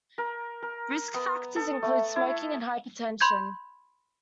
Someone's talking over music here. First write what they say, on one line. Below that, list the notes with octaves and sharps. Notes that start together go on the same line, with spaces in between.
Risk factors include smoking and hypertension.
A#4
A#4
B3
A4
A3
E4
B5 C6 G6 G#6